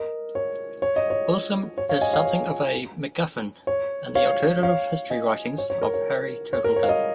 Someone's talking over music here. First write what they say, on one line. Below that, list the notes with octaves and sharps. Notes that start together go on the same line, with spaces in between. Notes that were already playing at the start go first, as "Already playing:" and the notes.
Wilson is something of a macguffin in the alternative history writings of Harry Turtledove.
Already playing: A#4 D#5
C#5
C#5
D#5
C#5
C#5
C#5 F5
D#5 G#5
C#5 F5
C#5
C#5
C#5 F5
C#5 F5
D#5 G#5
C#5
C#5
A#4
C#5
C#5
A#4
C#5
F5
A#4 D#5